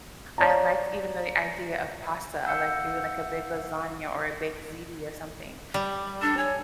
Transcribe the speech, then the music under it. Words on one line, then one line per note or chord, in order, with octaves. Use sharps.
I liked even the idea of pasta. I like doing, like, a big lasagna or a baked ziti or something.
C#5 D5 A5 A#5
F5 F#5 E6 G6 C#7
G3
D4 A4
C#5 G#5